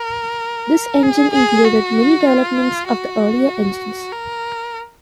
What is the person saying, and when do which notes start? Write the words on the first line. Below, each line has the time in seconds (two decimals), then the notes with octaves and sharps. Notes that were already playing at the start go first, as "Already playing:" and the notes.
This engine included many developments of the earlier engines.
Already playing: A#4
1.03 G#4
1.34 G#4
1.65 F#4
2.27 F4
2.88 F#4
4.12 A#4